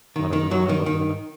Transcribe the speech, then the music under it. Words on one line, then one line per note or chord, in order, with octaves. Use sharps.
A lotta UNO; I love UNO.
D#3
D#3
F#3
D#3
D#3